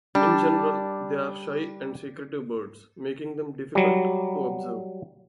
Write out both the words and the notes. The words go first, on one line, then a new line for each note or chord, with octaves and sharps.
In general they are shy and secretive birds, making them difficult to observe.
G3 D4
F#3 G3